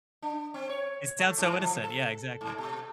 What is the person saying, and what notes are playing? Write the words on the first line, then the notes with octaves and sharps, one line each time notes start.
It sounds so innocent. Yeah, exactly.
D4
C4
C#5
A3
G#2
F3
A4
G#2
B2